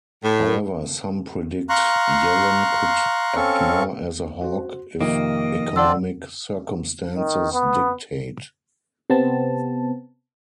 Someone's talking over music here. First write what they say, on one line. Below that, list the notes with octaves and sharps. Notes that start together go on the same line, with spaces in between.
However, some predict Yellen could act more as a hawk if economic circumstances dictate.
A2
F5 A#5 C6 C#6 F#6
C4 C#4 A4 F5 C#6
F#4 C5
F2 C3 D#3 A#3 D#5
C4 D4 F4 D5 F#5 E6
D#3
B3
C3 B3 C4 A5